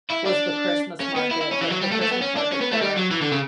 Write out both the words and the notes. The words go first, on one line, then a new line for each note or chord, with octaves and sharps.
was the Christmas market, the the Christmas market there,
E4
D4
C#4
B3
E4
E4
C#4
E3
F#3
G3
A3
A3
B3
C#4
D4
C#4
B3
A3
G3
F#3
E3
D3
C#3